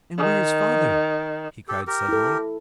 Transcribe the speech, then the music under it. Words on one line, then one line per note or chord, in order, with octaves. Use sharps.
"And where is Father?" he cried suddenly.
D#3
G4 A4
G4 A#4
E4 A4